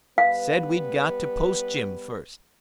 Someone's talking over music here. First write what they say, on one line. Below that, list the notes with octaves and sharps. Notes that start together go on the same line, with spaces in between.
Said we'd got to post Jim first.
G3 B3 B4 F5